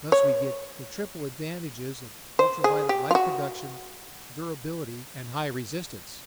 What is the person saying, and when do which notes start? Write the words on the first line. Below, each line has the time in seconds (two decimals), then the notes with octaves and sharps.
Thus we get the triple advantages of ultra-violet light production, durability, and high resistance.
0.12 C#5
2.39 C5
2.64 G#4
2.89 G4
3.11 F4
3.15 F#4